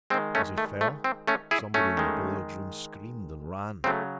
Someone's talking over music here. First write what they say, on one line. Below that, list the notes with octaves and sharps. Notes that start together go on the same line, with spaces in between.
As he fell, somebody in the billiard-room screamed and ran.
D#3 G#3 C4
A3 C#4
A3
A3
C4
A3 C#4
E4 G#4
A3 C#4
D#3 G#3
C#3 F#3 A3 C4